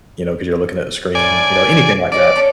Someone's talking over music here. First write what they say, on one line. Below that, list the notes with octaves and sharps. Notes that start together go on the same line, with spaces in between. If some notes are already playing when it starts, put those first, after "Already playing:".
you know, 'cause you're looking at the screen, you know, anything like that.
A2 D#3 A3 D5 G#5
C#4 D5 D#5 G#5
C#4 D4 A4